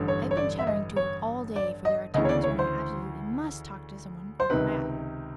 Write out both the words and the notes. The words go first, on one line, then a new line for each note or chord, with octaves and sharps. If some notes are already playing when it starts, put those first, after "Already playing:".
I have been chattering to her all day, for there are times when I absolutely must talk to someone or go mad.
Already playing: A1 G2 D3
C#5
C#5
D5
E5
D#5
C#5
D5
D#5
D2 C#3 E3 D#5
C#5
D5
C#5
C5
C5
C#2 C3 D#3 B4